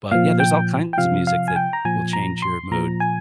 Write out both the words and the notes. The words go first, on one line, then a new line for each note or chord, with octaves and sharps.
But, yeah, there's all kinds of music that will change your mood.
A#2 F3 F5
G5
G5
C3 F3 F5
F5
G#5
G5
A#5
A#2 F3 G#5
A#5
C6
A#2 F3 A#5
G#5